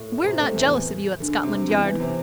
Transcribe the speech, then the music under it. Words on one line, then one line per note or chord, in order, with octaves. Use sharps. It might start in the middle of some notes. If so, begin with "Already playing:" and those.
We're not jealous of you at Scotland Yard.
Already playing: A2 A3
C3 C4
A2 A3
E2 E3
D3
C3
E2 E3
E2 E3
C3 C4